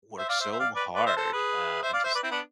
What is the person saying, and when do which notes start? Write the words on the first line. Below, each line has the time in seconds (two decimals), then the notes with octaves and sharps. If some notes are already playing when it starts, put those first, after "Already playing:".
work so hard, uh, and just
0.18 C5 E5
0.29 D5 F5
0.40 C5 E5
0.51 C5 E5
0.59 D5 F5
0.75 B4 D5
0.95 B4 D5
1.06 C5 E5
1.16 A4 C5
1.33 G#4 B4
1.82 C5 E5
1.93 D5 F5
2.04 C5 E5
2.15 B4 D5
2.23 C4 E4
2.31 B3 D4